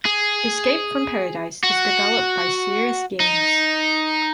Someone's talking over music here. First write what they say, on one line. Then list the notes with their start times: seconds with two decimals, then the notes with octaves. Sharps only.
Escape from Paradise is developed by Sirius Games.
0.05 G#4
1.63 F#4
3.20 D#4